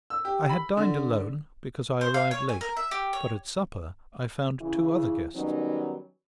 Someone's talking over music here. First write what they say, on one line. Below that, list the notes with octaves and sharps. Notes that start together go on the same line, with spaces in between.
I had dined alone, because I arrived late; but at supper I found two other guests.
E6
G4
B5
D3
C5
F5
C#5
G#5
A#4
E5
G4
C#5
C#3 E3 E4
D#3 F#3 G3 B3 C#4 D#4